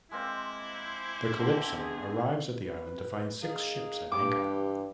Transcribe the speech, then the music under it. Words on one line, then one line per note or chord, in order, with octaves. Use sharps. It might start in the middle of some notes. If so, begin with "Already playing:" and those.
The "Calypso" arrives at the island to find six ships at anchor.
G#3 A#3 C4 E4
C5 D6
D3 E3 C4
B3 G#4
B4
A#3 D#4 G#4 F5
G2 E3 G4 D6